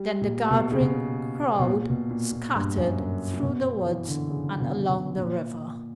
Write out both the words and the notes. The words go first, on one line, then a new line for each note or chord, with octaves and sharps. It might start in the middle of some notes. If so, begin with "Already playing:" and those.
Then the gathering crowd scattered through the woods and along the river.
Already playing: G3
A#2
B2
C#3
B2
B2
A#2
B2
A#2
A#2
G2
F#2
F#2
A#2
B2
E3
D3
C#3
B2
B2
A#2